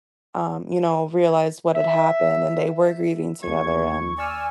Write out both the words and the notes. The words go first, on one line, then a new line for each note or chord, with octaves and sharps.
um, you know, realized what had happened, and they were grieving together, and,
E5
D#2 C#6 G#6
D5 G#5 E6 F6